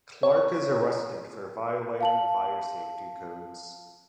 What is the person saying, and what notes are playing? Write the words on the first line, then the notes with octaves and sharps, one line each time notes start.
Clark is arrested for violating fire safety codes.
C#5
F5 A5 F#7